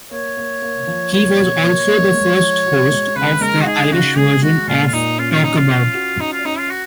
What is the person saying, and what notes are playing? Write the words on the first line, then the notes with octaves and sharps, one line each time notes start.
He was also the first host of the Irish version of "Talkabout".
A#3 C#5
A#3
A#3
F3
A#3 C#5
B2
A#3
A#3
G#3
F3
F#4
G#3
C#3 B4
G#3 A#4
F#4
D#4 G#4
C#3 F#4
G#3 G#4
G#3 F#4
A#2 F4
F4
A#2 D#4
C#4 F4
F4
C#4 D#4
F4
C#4
F#4
C#4 D#4
F4
C#4 D#4
F4
F#4